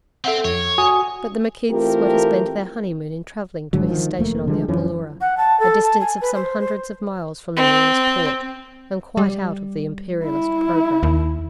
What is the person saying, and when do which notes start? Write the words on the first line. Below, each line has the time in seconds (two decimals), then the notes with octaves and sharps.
But the McKeiths were to spend their honeymoon in travelling to his station on the Upper Leura, a distance of some hundreds of miles from the nearest port, and quite out of THE IMPERIALIST programme.
0.25 C4 A4 E5 F#5
0.45 F2 C#5
0.78 F#4 G#5 D#6
1.71 E3 A3 C4 F4 G4 A#4
3.73 G#1 G#2 D3 F#3
3.88 D#3 F3
4.19 F1 A3 A#3
4.47 D3 F3 G3 G#3
4.68 F#2 E3 F3 C#4
5.21 F#5
5.37 A5
5.60 A4
5.83 A5
6.00 G#5
6.21 B4
6.35 C5
6.60 C5
7.57 C4
9.17 G3
10.24 E4
11.03 D#2